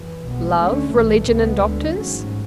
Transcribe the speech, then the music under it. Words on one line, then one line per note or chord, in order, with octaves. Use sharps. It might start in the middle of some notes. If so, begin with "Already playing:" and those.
'Love, religion and doctors!
Already playing: F#2 E3
B1 B2 G#3 B3
D2 D3 A3 C#4
B1 A2 E3 A3
C#2 C#3 G#3 B3
D2 D3 G#3
A1 G#2 F#3 C#4